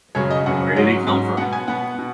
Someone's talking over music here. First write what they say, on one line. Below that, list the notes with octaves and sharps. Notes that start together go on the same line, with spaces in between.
Where did he come from?
F#2 C#3 F#3 C#5
D#5
F#2 C#3 F#3 F#5
G#2 F#3 C#4
G#2 F#3 C#4
B2 B3 F#5
G#5
B2 B3 F#5
B2